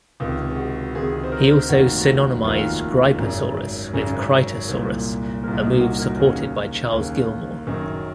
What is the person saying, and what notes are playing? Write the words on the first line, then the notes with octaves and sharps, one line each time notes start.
He also synonymized "Gryposaurus" with "Kritosaurus", a move supported by Charles Gilmore.
C#2 C3 D#3
G#4
F#4
C#2 C3 D#3 G#4
C5
A#4
F1 D#2 D#3 F#4
F1 D#2 D#3 F4
G#1 F#2 C#3
G#1 F#2 C#3
C2 A#2
C2 A#2 A#4
D#4
F#4
A#4
D#2 C#3
D#2 C#3
F#1 F#2 D#3